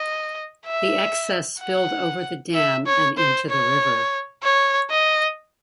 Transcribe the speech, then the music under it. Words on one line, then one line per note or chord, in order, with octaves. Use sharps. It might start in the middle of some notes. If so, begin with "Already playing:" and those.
The excess spilled over the dam and into the river.
Already playing: D#5
E5
F#5
E5
C#5
C5
C#5
C#5
D#5